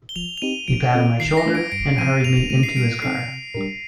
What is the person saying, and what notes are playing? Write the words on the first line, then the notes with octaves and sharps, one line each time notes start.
He patted my shoulder and hurried me into his car.
G7
F3 F7
F7
C4 D#4 G4 D#7
F3 D7
C4 F4 A4
D#3 C7
A#6
A3 D4 F4
D7
G2 D7
F3 C4 D#7
G2 F7
F7
D3 A3 D#7
C7
G3 D7
C4 D#4 A4 C7
C3
G3 D4 G4 A#4